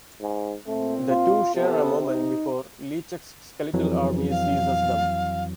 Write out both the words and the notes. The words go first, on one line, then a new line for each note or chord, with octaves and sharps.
The two share a moment before LeChuck's skeletal army seizes them.
G#2
A#2 A3 C4
F4
C3 B3 A4
D#4
F2 E3 F#3
F5